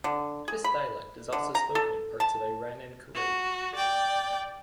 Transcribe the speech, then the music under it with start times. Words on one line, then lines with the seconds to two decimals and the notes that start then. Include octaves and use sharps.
This dialect is also spoken in parts of Iran and Kuwait.
0.04 D3
0.48 G#4
0.64 B5
1.33 D3
1.55 A#5
1.75 A4
2.20 A5
3.15 F#4
3.75 D5 G5